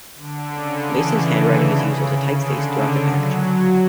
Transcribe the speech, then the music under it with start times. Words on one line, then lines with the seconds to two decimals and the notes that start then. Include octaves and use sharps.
Mason's handwriting is used as a typeface throughout the packaging.
0.15 D3
0.52 C#3
0.88 E3
1.25 D3
1.60 C#3
2.33 D3
3.06 F#3